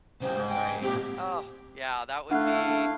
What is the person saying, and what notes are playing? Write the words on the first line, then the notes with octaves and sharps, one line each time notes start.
Right. Ugh, yeah, that would be
C#3 G3 C5
G#2
G5
A#2 C4 G4
A3 D4 E4 F5 F#5 F#6